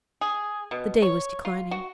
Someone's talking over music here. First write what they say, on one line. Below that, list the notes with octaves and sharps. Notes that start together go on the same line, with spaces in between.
The day was declining.
G#4
B2
C#5
F4
F#4